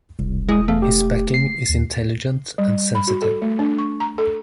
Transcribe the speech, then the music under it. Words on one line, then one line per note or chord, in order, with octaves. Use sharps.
His backing is intelligent and sensitive.
E1 C2
G#3 E4 D#6
E2 A3 F5
G4
C7
D#2
G3
B5
F#4
A4
A3
D4
C#6
A#5
A4